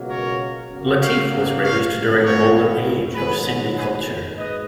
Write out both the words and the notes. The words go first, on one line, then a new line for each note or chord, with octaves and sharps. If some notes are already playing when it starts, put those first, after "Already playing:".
Latif was raised during the golden age of Sindhi culture.
Already playing: C#2 B2 F#3 A#3
A#4 C#5
F#2 C#3 F#3 A#3
C#5 F5
C#5 F5
G#1 G#2 F3 B3
A#4 C#5
G#2 D#3 F#3 G#4 B4
G#4 B4
G#2 B4 D#5